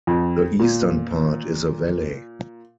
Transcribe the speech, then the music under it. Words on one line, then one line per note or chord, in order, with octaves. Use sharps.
The eastern part is a valley.
F2
A#2